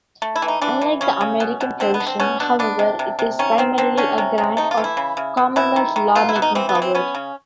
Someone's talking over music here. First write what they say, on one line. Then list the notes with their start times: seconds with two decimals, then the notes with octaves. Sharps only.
Unlike the American provision, however, it is primarily a grant of Commonwealth law-making power.
0.22 A3
0.36 E4
0.42 E3
0.48 D#4
0.61 E3 D4
0.81 E3
1.01 C#3 C#4
1.21 C#3
1.40 B2
1.61 B2
1.80 D3 C4
1.94 B3
2.00 D3
2.07 C4
2.20 B2 C#4
2.40 B2 D4
2.59 B3 D4
2.79 C3
2.99 C3
3.19 C3
3.39 D#3 C#4
3.58 D#3 C4
3.78 D3 C4
3.97 D3 C#4
4.18 C3
4.38 C3
4.57 A3 D#4
4.71 F4
4.77 E3
4.84 E4
4.97 C#3
5.17 C#3
5.37 B2
5.56 B2 E4
5.76 D#3
5.96 D#3
6.15 B2 F4
6.29 E4
6.36 B2
6.42 D#4
6.55 E3 C4
6.69 B3
6.75 E3
6.82 C4
6.95 B3 C#4
7.15 C#3